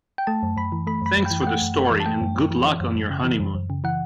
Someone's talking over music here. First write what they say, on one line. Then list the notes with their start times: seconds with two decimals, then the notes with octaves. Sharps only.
Thanks for the story and good luck on your honeymoon.
0.18 G5
0.27 A3 A5
0.43 F#2
0.56 F#2 B5
0.72 E3
0.87 A3 B5
1.02 F#2 B5
1.17 F#2
1.26 G5
1.31 E3
1.42 G5
1.47 A3 F#5
1.62 F#2
1.76 F#2
1.91 E3
2.00 A5
2.06 A3 G5
2.21 F#2
2.35 F#2
2.51 E3
2.65 E3
2.80 F#2
2.95 F#2
3.10 C#3
3.24 E3
3.40 F#2
3.55 F#2
3.70 C#3
3.84 E3 F#5